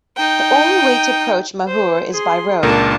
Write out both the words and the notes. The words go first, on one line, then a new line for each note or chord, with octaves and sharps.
The only way to approach Mahur is by Road.
D#4 G5
C5
G#4 C6
C#2 A#2 D4 A#4 A5